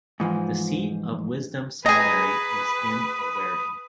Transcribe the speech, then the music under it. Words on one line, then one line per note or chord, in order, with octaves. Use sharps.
The Seat of Wisdom Seminary is in Owerri.
G#2 E3 F3
G#4 B4 D#5 G5 A#5 D#6